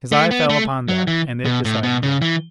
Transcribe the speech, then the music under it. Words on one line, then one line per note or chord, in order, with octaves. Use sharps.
His eye fell upon that, and it decided him.
A3
B3
A3
F#3
E3
B2
A2
B2
C#3
E3